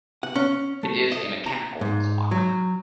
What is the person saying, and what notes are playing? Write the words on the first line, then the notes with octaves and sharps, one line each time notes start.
It is a mechanical clock.
F#5
C#4
A3
D#5
A#5
G#2
F#3